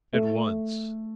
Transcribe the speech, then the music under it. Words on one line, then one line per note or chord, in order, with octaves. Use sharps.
At once.
A3